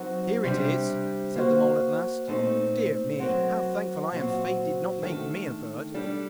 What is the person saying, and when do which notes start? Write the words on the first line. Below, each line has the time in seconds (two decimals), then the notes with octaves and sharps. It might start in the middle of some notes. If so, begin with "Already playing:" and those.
'Here it is,' said the mole at last; 'dear me, how thankful I am Fate did not make me a bird.
Already playing: F#3 C4 D#4 F#4
0.44 C3 G3 D4
1.36 A#3 F#4 C5
2.27 A#2 A3 C4 D#4 A4
3.19 F#3 C4 F#4 A#4
4.11 A#2 F#3 C4 F#4
5.02 D#3 A3 D4 A4
5.94 G3 D4 A4